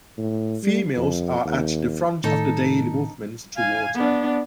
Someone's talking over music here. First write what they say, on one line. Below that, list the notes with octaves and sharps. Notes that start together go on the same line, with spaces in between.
Females are at the front of the daily movements to water.
A2
G3
F2
D#2
A2 D#3 D#4 A4
F5 G#5
B3 D4